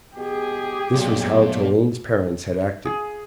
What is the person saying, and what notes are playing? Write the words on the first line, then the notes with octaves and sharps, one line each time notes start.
This was how Toline's parents had acted.
B2 G4 G#4
B1 A#2
G#4